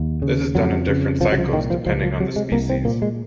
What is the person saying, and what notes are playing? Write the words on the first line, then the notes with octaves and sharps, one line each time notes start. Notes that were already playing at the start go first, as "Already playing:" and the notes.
This is done in different cycles, depending on the species.
Already playing: D#2
C#3
F2 F#3
C#3
C2 F3
F#3
F3
A#2 D#3
F3
C#2 F3
F3
C3 F#3
G#3
C2 A#3
C4
A#2 A#3
G#3